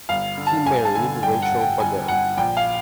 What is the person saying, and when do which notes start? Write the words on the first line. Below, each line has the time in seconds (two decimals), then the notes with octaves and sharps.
He married Rachel Bagot.
0.09 G1 F5
0.37 D3
0.47 A5
0.66 G1 G#5
0.85 A5
0.95 D3 G#5
1.23 G2 G5
1.42 F#5
1.52 G1
1.61 G5
1.80 G1 G#5
2.08 G1 F#5
2.38 A#1 G5
2.57 F5